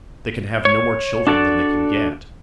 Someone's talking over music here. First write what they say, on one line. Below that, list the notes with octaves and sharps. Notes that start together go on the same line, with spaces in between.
They can have no more children than they can get.
C#5
D4 F#4 A4 D5